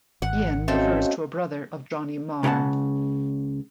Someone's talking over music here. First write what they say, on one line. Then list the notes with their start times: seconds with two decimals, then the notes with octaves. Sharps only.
"Ian" refers to a brother of Johnny Marr.
0.22 G#1 F#5
0.68 A3 C4 C#4 F#4 A4 D#5 F5
2.43 C#2 C#3 G4 A#4 F#5 A5